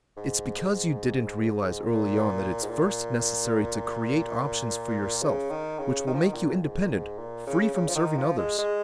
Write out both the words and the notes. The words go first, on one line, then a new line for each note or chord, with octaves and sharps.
It's because you didn't realize early on that it's first necessary to create options for yourself which will make you independent, free from serving others.
G#2
A#2
G#2
A#2
C#3
D#3
C#3
D#3
F3
D#3
A#2
F2
G#2
A#2
G#2
A#2
C#3
C#3
F3
D#3
F3
G#3
G#3